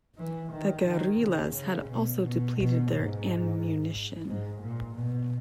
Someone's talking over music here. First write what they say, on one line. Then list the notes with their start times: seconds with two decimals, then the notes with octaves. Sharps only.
The guerrillas also had depleted their ammunition.
0.18 E3
0.52 D#3
0.86 D#3
1.21 C#3
1.55 C#3
1.88 B2
2.23 B2
2.57 B2
2.91 G#2
4.28 G#2
4.62 A#2
4.96 B2